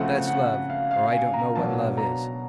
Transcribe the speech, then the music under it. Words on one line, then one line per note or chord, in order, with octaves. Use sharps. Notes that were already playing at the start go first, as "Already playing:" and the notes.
"That's love, or I don't know what love is."
Already playing: C#3 F3 A3 C4 F#5
F#5
F5
F5
G#5
A#5
B2 F#3 A#3 D4 A5
A#5